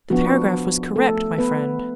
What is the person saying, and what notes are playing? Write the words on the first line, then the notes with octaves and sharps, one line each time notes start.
"The paragraph was correct, my friend."
F3 B3 D4 F#4
A3 A4
B3 B4